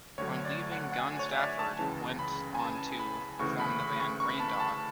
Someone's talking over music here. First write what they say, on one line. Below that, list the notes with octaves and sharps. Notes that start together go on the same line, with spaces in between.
On leaving Gun Stafford went on to form the band 'Raindog'.
D2 D3 F#3 C#5
D5
F#5
F#5
G#5
C#5
E5
D5
A5
C#2 C#3 E3 A5
B5
G#5
A5
B5
D2 C#3 E3 C#6
B5
B5
C#6
C#6
B5
A5
B5
A5